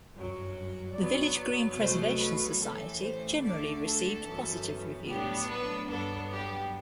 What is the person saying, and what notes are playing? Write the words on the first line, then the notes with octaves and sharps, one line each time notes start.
"The Village Green Preservation Society" generally received positive reviews.
G1 F#2 F#3
F#2 F#3 B3 D5
C2 B2 F#3 A3 C5
B4
A1 A2 E3 A4
C5
D2 D3 A3 D4 D5
A4
G1 F#2 E3 B3
A2 F#3 B3 D4 G4
B4
G2 F#3 B3 D4 A4
G4